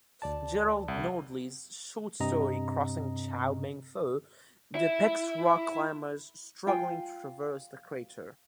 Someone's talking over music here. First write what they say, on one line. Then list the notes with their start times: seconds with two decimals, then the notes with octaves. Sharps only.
Gerald Nordley's short story "Crossing Chao Meng-Fu" depicts rock-climbers struggling to traverse the crater.
0.22 D2 D5 A5
0.88 C2
2.20 G2 C3 C4 D#5 A#5
4.75 E4
6.67 F4 G5 G#5